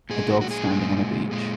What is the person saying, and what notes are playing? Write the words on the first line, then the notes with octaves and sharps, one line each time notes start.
A dog standing on a beach.
A#2 G#3 G#4
F#4
F#4
G#4
A#2 G#3
A#2 G#3